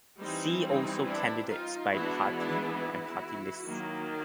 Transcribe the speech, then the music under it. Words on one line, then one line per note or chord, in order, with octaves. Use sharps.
See also candidates by party and party lists.
E3 G3 C4 D#4
D#4
D4 E4
D#4 F4
E3 G#3 B3 D4 E4 F#4
D4 E4
E4 F#4
D#3 F#3 A#3